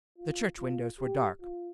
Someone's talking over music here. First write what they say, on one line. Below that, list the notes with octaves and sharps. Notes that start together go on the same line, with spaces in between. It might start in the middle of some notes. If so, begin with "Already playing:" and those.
The church windows were dark.
F4
F4
G4
F4